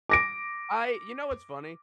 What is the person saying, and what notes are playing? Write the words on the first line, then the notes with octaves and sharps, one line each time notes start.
I you know what's funny?
D6 A#6 D7